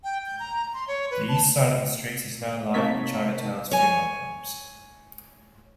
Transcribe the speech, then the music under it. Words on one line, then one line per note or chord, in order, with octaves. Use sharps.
The east side of the street is now lined with Chinatown's funeral homes.
G5
G6
A#5
C6
C#5
B4
A5
C3 A#3 D#4 C#5 A5 B6
C#5 G#5